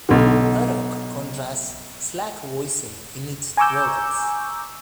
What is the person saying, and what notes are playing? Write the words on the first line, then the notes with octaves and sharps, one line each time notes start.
Parauk contrasts slack voicing in its vowels.
B1 D3
G#5 A#5 C#6 D6 E6 G6